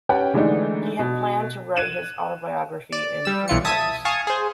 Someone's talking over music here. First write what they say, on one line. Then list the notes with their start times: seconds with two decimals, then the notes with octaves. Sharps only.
He had planned to write his autobiography in three parts.
0.09 C#4 G4 B4 F#5 G5 A5
0.34 D3 E3 G#3 A3 D4 D#4
0.99 B2
1.76 F#6 G#6 D#7 E7 F#7
2.92 D5
3.25 G3 E6
3.48 B1 E3 F4 C#7
3.65 E5 A5 D#6 G#6 B6 D#7
4.05 F5 G#5 A5 C#6 D#6
4.27 G#4 C5